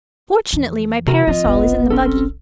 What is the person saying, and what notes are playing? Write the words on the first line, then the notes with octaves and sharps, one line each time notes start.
Fortunately my parasol is in the buggy.
F2 E3
C3 F#4 A#4
F3 C4 F4 D#5
E1 A#1 B3
C4 C#4 A4